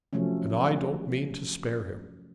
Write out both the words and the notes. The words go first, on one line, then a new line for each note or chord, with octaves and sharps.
"And I don't mean to spare him."
C3 F3 F#3 A3 C#4